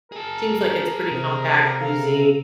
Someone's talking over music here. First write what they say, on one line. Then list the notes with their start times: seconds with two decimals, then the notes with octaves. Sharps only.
seems like it's pretty compact, easy,
0.12 G#4 A#4 A5
1.12 C3
1.81 A4 F5